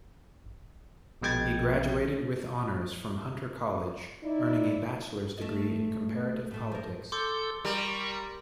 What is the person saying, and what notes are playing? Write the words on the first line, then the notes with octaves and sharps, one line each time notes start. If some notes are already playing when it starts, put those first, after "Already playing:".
He graduated with honors from Hunter College, earning a bachelor's degree in comparative politics.
A#1 B2 G#3 G5 G#6 A6
D#4 E4 D5
A3 D#5
A2 A3
F3 A#4
A4 C6 D6 G6
G3 A#4 A#5 B5 C#6